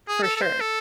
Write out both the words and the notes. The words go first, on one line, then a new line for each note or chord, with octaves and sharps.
For sure.
G#4
A4
A4
C5
A4